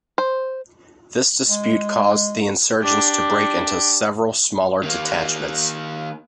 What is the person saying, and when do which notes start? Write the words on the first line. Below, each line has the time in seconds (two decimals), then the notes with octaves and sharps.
This dispute caused the insurgents to break into several smaller detachments.
0.18 C5
1.48 G#3
2.82 D4 G4
4.83 D#3 A#3